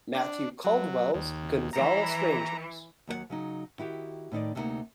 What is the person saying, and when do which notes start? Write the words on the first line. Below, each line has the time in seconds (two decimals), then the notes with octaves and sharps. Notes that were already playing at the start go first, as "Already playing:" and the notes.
Mathew Caldwell's "Gonzales Rangers".
0.15 D4
0.64 F#3
1.14 D#2
1.73 E3 A#5
3.07 D#2 F#3 A4 F#5
3.30 C#3 F#3 D#4
3.78 D#3 E4 F#4 G4
4.32 A2 D#3 D#4 D5
4.55 D2 C3 G3 A#3 D#4 F#5